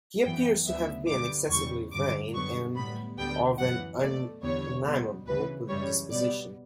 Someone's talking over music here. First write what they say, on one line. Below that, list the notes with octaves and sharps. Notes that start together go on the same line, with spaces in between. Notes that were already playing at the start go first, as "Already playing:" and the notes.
He appears to have been excessively vain and of an unamiable disposition.
F#2 E3 B3 G5
D2 D3 F#3 B3 E5
G2 D3 G3 B3 D6
E2 C#3 G3 C#6
G2 D3 F#3 D6
F#2 D3 G3 B3 C#6
A2 G3 B3 B5
D2 D3 G3 B3 G5
F#2 E3 B3 F#5
B2 A3 D5
E2 D3 G3 B3 C#5
B2 G3 B3
D2 C#3 E3 B4
F#2 C#3 E3 G3 C#5
B2 G3 B3 D5